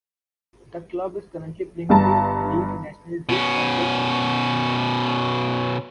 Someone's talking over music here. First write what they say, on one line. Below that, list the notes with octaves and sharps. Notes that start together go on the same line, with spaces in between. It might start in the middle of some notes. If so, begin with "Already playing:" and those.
The club is currently playing the Ligue Nationale du Football Amateur.
G1 G2 A5 A#5
B2 C#4